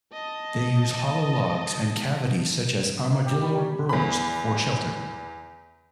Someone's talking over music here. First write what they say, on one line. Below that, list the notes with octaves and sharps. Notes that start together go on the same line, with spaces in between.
They use hollow logs and cavities such as armadillo burrows for shelter.
D#5 A5
A#3
G4
G3
C#4
E2 B5